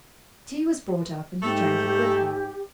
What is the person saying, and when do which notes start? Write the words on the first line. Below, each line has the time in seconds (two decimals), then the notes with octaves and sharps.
Tea was brought up, and he drank it with her.
1.42 G#2 A3 G4